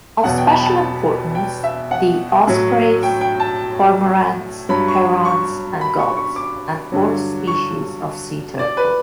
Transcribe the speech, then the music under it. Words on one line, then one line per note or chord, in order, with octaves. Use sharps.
Of special importance: the ospreys, cormorants, herons, and gulls-and four species of sea turtles.
E2 B2 F#3 F#5
G5
B5
G5
A5
G5
E5
F#5
A2 F#3
G5
G5
A5
G2 F#3 B5
C#6
C#6
B5
C#6
C#6
D6
G2 D3 F#3
C#6
D5
B4